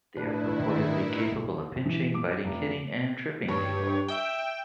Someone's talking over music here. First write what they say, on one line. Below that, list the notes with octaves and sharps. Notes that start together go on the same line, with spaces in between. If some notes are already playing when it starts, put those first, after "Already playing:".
They are purportedly capable of pinching, biting, hitting, and tripping people.
A2 D#3 D4 E4 B4
E3
D6
F1
G2 C#5
E5 G5